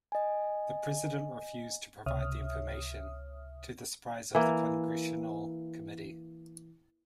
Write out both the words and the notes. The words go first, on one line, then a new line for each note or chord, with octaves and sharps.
The president refused to provide the information, to the surprise of the Congressional committee.
D#5 G#5
C#2 C3 C#5 E5 D#6 F6
E3 A#3